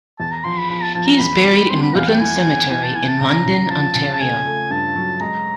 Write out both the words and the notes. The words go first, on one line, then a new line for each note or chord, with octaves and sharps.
He is buried in Woodland Cemetery in London, Ontario.
E2 A5
A#5
F3 C6
B5
F3 B5
A5
F3 A5
A#5
E2 B5
G3
C4 C6
B5
E2 F5
G5
E3 G#5
E3
E3 G#5
A5
E3 G#5
A5
C#3 A#5
C#3
F3 A5
C#3
A5
A3 G#5
A3
G2 A5
F#3
G#3 A#5